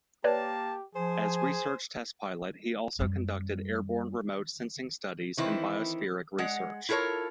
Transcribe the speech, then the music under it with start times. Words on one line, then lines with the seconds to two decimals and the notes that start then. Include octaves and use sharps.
As research test pilot he also conducted airborne remote sensing studies in biospheric research.
0.24 A#3 G4 B4 C#5 D5 A5
0.95 F3 G#4 C5 G#5
2.99 F#2 G3
5.37 D#3 E3 C4 E4
6.38 G#3 F#5
6.89 E4 F4 A4 A#4 C#5